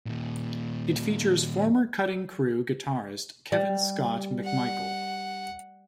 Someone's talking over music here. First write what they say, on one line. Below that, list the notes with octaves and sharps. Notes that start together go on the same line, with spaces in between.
It features former Cutting Crew guitarist Kevin Scott MacMichael.
D#2 A#2
G3
F#5